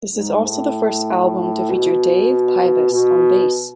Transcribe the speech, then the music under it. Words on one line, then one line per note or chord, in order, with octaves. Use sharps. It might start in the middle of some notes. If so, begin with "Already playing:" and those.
This is also the first album to feature Dave Pybus on bass.
G#2
A2
B2
B2